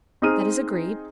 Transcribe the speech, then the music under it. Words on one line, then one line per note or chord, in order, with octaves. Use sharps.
"That is agreed."
C4 D#4 G#4 D#6 F6 D#7